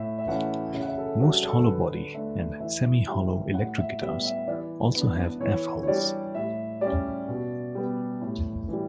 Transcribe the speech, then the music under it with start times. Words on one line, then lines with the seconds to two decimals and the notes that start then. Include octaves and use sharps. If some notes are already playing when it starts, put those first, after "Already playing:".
Most hollowbody and semi-hollow electric guitars also have F-holes.
Already playing: A2 E5
0.18 E5
0.27 E3 A3 C#4 F#5
0.73 C#3 E5
0.82 F#5
0.88 E5
0.98 A4
1.20 G3 D4 F#4
1.44 A4
1.67 D3 B4
2.14 A3 D4 E5
2.60 E3 E5
3.07 G3 D4 E5
3.54 A2 F#5
3.78 E5
4.01 G3 B3 E5
4.25 E5
4.47 E3 D5
4.95 B3 D4
5.40 E3 C#5
5.83 C#5
5.88 G3 D4 D5
6.35 A2 E5
6.81 G3 C#4 D5
7.28 B2
7.75 G3 B3
8.21 A2
8.68 E3 G3